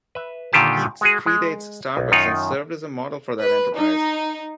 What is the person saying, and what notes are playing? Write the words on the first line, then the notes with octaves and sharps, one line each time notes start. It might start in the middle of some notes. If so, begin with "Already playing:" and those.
Peet's predates Starbucks and served as a model for that enterprise.
B4 E5
A#2 D3 D#3 F4 G4 A5
G#3 F#4 G#4
G#3
B1
F#2 D#3 D#4 F4 C#5 F#5
B4
D#4